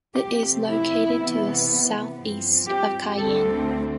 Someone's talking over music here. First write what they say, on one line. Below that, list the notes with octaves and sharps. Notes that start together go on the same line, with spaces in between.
It is located to the south-east of Cayenne.
C3 F3 A3 C4 G4
E4
C3 E3 B3
G2 F3 C4
G4
D2 D3 A3 C4 A4